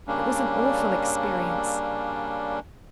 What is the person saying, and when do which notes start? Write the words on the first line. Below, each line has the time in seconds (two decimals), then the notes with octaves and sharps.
It was an awful experience.
0.07 C#3 G3 A#3 C#4 D4